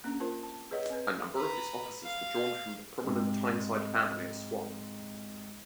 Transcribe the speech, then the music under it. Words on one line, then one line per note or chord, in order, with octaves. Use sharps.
A number of its officers were drawn from the prominent Tyneside family of Swan.
A#3 C#4 D4
F4 A#4 C5 A5
A5
G#4 B4 C#5 D#5 F#5
C4 B4
B4 A#5
F5
G#2 C3 G#3